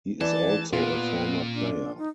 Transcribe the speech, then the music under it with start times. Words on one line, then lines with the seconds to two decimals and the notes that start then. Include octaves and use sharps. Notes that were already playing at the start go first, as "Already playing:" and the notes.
He is also a former player.
0.21 E3 D5 A5
0.73 A#2 B3 F4
1.54 D4
1.98 D#4